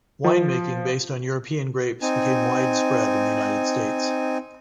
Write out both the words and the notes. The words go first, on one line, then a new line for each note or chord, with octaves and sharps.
Wine making based on European grapes became widespread in the United States.
F3
C4 D#4 G#5